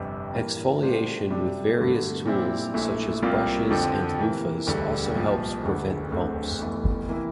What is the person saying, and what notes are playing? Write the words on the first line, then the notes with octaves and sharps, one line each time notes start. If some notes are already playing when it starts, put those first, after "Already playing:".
Exfoliation with various tools such as brushes and loofahs also helps prevent bumps.
Already playing: G1 F2 C3 G3
G2 E3 A#3
A2 G3 D4 F4 C5
C3 G3 D4
G2 D3 A3
A#2 G3 C4 E4
A#1 A#2 A3 E4
C2 C3 G3 A#3 F4
F2 D3 F3 C4
C3 E3 A#3
E1 D2 D3 G3
C2 A#2 F3
E1 D2 D3
E1 D2 D3 A3 C4
F1 E2 E3 A3
C3 E3 A#3 E4